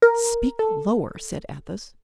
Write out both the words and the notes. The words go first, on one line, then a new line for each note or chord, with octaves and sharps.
"Speak lower!" said Athos.
A#4
A4